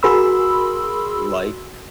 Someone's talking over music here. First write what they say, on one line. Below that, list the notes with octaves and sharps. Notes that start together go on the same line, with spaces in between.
like f
F#4 G#4 A#4 B5 C6 E6